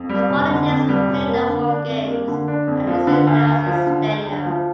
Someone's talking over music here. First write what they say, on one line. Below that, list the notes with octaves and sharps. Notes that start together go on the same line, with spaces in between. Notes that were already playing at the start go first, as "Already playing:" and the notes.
The Volunteers will play their home games at Lindsey Nelson Stadium.
Already playing: F2
G3
F1
D3
F2
G3
F1
A#3
D3
D4
F2
A#3
D3
D4
F2
F3
D3
D2
D2
F3
D3
D2
D2
F3